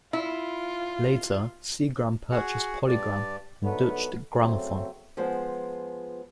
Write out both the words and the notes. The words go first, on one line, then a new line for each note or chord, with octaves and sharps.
Later, Seagram purchased PolyGram and Deutsche Grammophon.
E4 F4
F#4 G#4 F#5
G2 D5
D3 D#3 F#3 A3 B3
C#3 F#3 A3 C4
F3 G#3 B3 C5